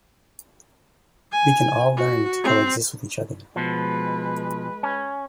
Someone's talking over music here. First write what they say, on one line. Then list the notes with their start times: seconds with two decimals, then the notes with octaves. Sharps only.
We can all learn to coexist with each other.
1.32 G#5
1.96 F#4
2.44 C4
3.56 B2 F3 G#3 B4
4.83 C#4